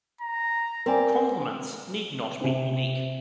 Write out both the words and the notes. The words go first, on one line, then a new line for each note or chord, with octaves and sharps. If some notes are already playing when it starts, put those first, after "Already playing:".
Complements need not be unique.
A#5
C4 A#4 D5 G#5
C3 C4